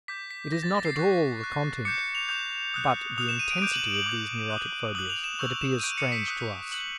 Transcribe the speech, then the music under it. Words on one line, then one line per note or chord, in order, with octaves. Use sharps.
It is not at all the content but the intensity of these neurotic phobias that appears strange to us.
D6 G6 B6
B6
D6 G6 A#6
A6
A#6
C7
C#6 F#6
C#6 F#6
D6 G6 C#7
F7
D6 G6 F7
D#6 F#6
D#6 F#6 F7
E7
D#7
D7
D6 G6 D7
F#7
F#7
F#7
D6 G6
D#6 F#6
D#6 F#6 F#7
F7
E7
C#6 E6 G6 F#7
E7
D#7
C#6 E6 G6 D7
C#7
B6
D#6 F#6
D#6 F#6 F#7